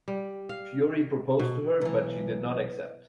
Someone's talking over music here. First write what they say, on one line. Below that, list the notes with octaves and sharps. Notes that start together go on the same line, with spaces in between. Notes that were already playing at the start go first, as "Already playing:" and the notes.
Fury proposed to her, but she did not accept.
G3
F5
B2
B1 E3 B4